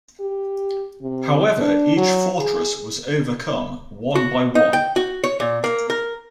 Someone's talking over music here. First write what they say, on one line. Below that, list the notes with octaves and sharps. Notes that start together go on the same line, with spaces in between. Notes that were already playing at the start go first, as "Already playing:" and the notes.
However, each fortress was overcome one by one.
G4
C3
D4
F#3
G#4
F#4
D#4
G5
F#4
C#5
A#2
A#3
A#4